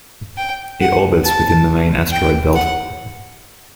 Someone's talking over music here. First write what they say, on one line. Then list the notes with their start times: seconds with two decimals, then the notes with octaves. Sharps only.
It orbits within the main asteroid belt.
0.38 G5
0.81 F#5
1.25 A5
2.12 G5
2.55 F#5